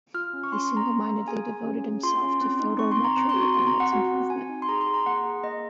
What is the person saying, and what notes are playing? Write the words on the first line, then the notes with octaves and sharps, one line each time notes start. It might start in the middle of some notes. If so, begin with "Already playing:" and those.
He singlemindedly devoted himself to photometry and its improvement.
F4 F6
C#4
C#6
C#4 C6
C6
C#4
A#5
A#3
A#3
G#4 G#5
A#3
C#4
G#4
F4 C6
C#4
C4
D#4
C4 C#6
C6
C4
A#5
C4 A#5
C6
F#4
C#6
C4 C6
A#5
C4
F#5
F#4 F#5
C4
C4 G#5
D#4
C6
G#4 A#5
C6
G#4
A#5
A#3 F#5
G#4
A#3 D#5